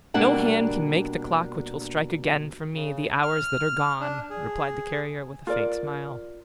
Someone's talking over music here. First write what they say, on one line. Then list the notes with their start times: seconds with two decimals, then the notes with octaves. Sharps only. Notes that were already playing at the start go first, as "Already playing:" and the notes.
"No hand can make the clock which will strike again for me the hours that are gone," replied the Carrier with a faint smile.
0.14 B2 G3 A#3 D4 F#5 A5
2.75 C#3
3.23 F6
4.01 D4
4.30 G#4
5.47 F4 A#4 D5